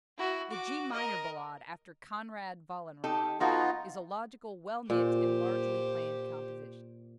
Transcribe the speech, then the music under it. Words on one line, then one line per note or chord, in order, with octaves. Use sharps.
The G minor Ballade after "Konrad Wallenrod," is a logical, well knit and largely planned composition.
E4 F#4
F#4 D6
A#4 D#5
D#4 G4 A4
F3 B3 D#4 F4 F#4 A4
A#2 G4 C5